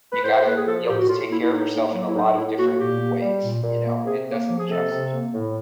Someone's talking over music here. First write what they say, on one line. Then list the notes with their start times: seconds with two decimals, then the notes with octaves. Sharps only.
You gotta be able to take care of yourself in a lot of different ways, you know? It doesn't just
0.13 B4
0.24 A2 C5
0.36 C5
0.46 A#3 B4
0.56 G#4
0.67 F3 A4
0.88 A2 G4
0.99 F#4
1.09 A2 F4
1.30 A#3 E4
1.43 E4
1.52 A2 D#4
1.73 A#3
1.94 F#3
2.07 E4
2.15 A2 D#4
2.36 A2 E4
2.58 A#3 F#4
2.71 F#4
2.79 A#2 G4
3.00 A#3
3.22 G3
3.43 A#2
3.64 A#2
3.85 A#3
4.06 C3 G#4
4.28 A#3
4.49 F3
4.58 G#4
4.70 C3 A4
4.92 C3
5.13 A#3
5.34 A2